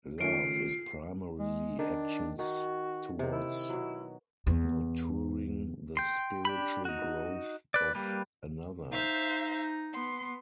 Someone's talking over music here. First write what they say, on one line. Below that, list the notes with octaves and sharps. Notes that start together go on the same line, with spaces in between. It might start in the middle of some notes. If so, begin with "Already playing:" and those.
Love is primarily actions towards nurturing the spiritual growth of another.
D#3 A3 C#4 F4 C7 D7
G#3
D#3 D4
D#3 F#4
C3 D#3
E4
B2 F#3
E2
G5 C6
D4 G4 B5
D#4 F#4
B4 D5
G3 A#3 G4 B4
D#4 C5 E5 F5
B3 C6